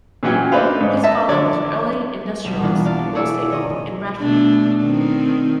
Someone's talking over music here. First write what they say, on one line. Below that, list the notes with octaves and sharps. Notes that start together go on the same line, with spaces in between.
His father was an early industrialist and real estate mogul in Bradford.
A#2 E3 F#3 C#4 G5
A3 D4 D#4 B4 C5 F5
G#2
D#5 E5 A5
D3 C#5 D5
B1 G3 B6
B2 E3 A#3 B3 D4 F4
D5 F5 A5
E4 G#4 C#5 D5 E6
C#5 D#5 D#6
B2 A3 D4
D#3 C4